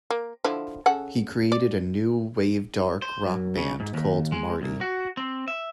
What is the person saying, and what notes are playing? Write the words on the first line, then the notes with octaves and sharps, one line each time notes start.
He created a new wave-dark rock band called "Marti".
A#3
D3 F3 E4
C#3 A4 F#5
D5
C5
F#2
C#3
G#2
D#2
G#3
C2
F#4
C4
E5